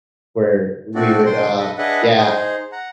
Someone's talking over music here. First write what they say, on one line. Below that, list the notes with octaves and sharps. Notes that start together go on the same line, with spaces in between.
where we would, uh yeah,
A3 C4 D4 F#4 D5
D4 C5 G5 C6
A4 B4 D#5
D4 G#4 B4 D#5 E5 F#5
D#4 G#4 C5
F#5 A#5